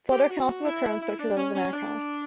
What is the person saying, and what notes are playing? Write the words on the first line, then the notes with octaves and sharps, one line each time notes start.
Flutter can also occur on structures other than aircraft.
G4
F#4
E4
E4
D4
C#4
C#4
D4